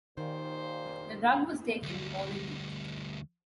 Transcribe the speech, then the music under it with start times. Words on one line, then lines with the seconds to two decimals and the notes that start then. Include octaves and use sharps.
The drug was taken orally.
0.18 D#2 A#2 D#3 C5
1.83 D2 G3